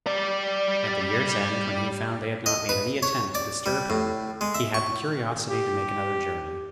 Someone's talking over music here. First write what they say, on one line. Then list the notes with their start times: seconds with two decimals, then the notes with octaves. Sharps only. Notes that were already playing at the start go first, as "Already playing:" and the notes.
At the year's end, when he found they had not made any attempt to disturb him, he had the curiosity to make another journey.
0.07 G3 D5
2.46 D#5
2.69 B4
3.03 C#5
3.35 D5
3.66 G3
3.90 A2
4.41 G#3
4.55 E5
4.74 C#6
5.50 G4